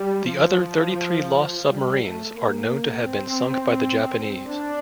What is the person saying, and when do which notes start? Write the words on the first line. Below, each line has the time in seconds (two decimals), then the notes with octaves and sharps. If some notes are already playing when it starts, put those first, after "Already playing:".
The other thirty-three lost submarines are known to have been sunk by the Japanese.
Already playing: G3
0.29 F3
1.69 G3
2.05 A3
2.39 A#3
3.08 C4
4.48 D4